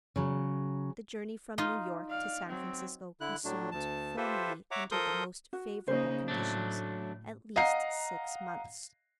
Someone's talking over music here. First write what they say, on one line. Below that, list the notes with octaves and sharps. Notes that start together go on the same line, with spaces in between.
The journey from New York to San Francisco consumed, formerly, under the most favourable conditions, at least six months.
C#3 F#3
D#4 F4 D#5
D5 F5
F#3 C4
D3 E4 F#6
A2 F#3 A3 D4
D2 A5
F4 G4 A4 B4 C5 E5
C#5 E5 F#5 A#5 D6
F3 A4 A#4 C6 D#6 G6
F#4
C#3 A#3 D#4 C5
A2 F#3 A3 D4
D#5 F5 F#5 A#5 C7